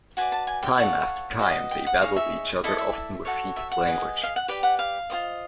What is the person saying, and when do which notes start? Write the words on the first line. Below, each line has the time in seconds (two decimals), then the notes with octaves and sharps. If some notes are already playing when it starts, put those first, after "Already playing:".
Time after time, they battled each other, often with heated language.
0.17 F#4 B4 D5 G#5
0.32 A5
0.47 G#5
0.63 G5
0.78 F4 A4 C#5 F#5
1.39 F#4 B4 D#5
1.71 G5
1.87 F#5
2.01 D#4 G#4 C#5 F5
2.16 E5
2.63 E4 A4 D5 D#5
2.78 E5
3.25 F#4 A4 C#5
3.56 E5
3.72 F#5
3.87 G#4 B4 D#5
4.23 F5
4.36 F#5
4.48 G4 B4 D5 G5
4.63 F#5
4.79 F5
5.10 F4 G#4 C5 D#5